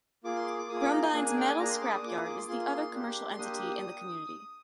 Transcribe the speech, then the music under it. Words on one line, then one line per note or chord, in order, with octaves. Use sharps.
Grumbine's Metal Scrap Yard is the other commercial entity in the community.
A#3 F4 G#4 D6
C6
D6
D6
A#3 F4 G#4 D#6
D6
A#5
G#5
A#3 D4 G#4 G#5
G#5
G5
G#5
A#3 D4 G#4 A#5
C6
D6
D#6
A#3 F4 G#4 D6
D#6
D6
C6
A#3 F4 G#4 C6
A#3 D4 G4
A#3 D4 G4 D#6